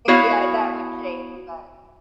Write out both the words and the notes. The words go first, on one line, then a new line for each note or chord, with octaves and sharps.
yeah, that would change, but
B3 E4 F#4 C#5 F5